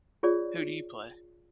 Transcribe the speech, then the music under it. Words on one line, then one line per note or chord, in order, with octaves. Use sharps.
Who do you play?
F4 G#4 C#5 D5